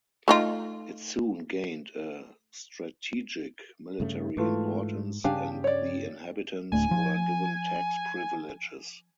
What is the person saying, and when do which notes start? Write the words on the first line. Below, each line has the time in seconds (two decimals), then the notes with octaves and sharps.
It soon gained a strategic military importance and the inhabitants were given tax privileges.
0.28 A3 D#4 F4
4.00 G2 C#3 A3
4.37 G#2 E3 A3 F4
5.24 G2 C#3 G3 D4 G4 F5 G#5
5.64 C#5 D5
6.72 D1 A3 D4 G#5
6.91 F3